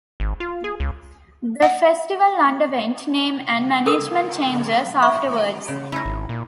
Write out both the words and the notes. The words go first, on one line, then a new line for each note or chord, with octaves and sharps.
The festival underwent name and management changes afterwards.
G#1
F4
G#4
C#2
F#5
A4 A#4 D#6
D5 E5 C#6
C#3
C#4 D#4 E4
G#1
A#2